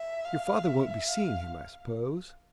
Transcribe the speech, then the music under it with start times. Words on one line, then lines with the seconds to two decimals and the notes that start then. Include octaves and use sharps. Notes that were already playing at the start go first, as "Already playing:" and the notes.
'Your father won't be seeing him, I suppose?'
Already playing: E5
0.25 F5
0.67 E5
1.09 F5